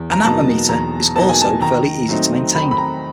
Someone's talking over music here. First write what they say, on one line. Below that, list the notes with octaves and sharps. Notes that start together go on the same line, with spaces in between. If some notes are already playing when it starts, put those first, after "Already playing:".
An atmometer is also fairly easy to maintain.
Already playing: E2
A#5
B2 F#3 A#3 D#4 A5
E2 A#5
B2 F#3 A#3 D#4 A5
G#5
A5
D#3 A#5
F#3 A3 C4 D#4
D#3 B5
B5
A#5